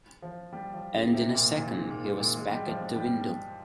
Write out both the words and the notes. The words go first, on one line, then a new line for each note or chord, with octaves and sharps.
And in a second he was back at the window.
F3
G3
F3
C#3
C3
A#2
A#2
G#2
A#2
G#2
A#2
G#3
G3
F3
G3
G3